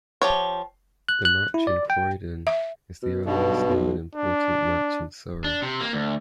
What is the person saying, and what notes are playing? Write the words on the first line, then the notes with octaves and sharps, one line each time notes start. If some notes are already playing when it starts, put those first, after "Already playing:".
The match in Croydon is the earliest known important match in Surrey.
F3 G4 C#5
F#6
F#6
E4
D5
G5
E5
B2
B1 G2 B2
B1
D4
D4
C3
A#3
D2